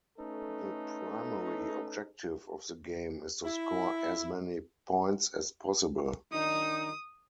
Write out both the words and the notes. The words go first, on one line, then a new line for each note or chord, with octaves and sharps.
The primary objective of the game is to score as many points as possible.
A3 C#4 D#4 A4 B4
E4
D#3 D4 D#4 D#6